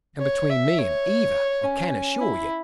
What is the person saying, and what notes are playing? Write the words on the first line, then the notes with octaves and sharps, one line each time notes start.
"And between me and Eva, I can assure you."
C#5
E5
C#5
C#4
E4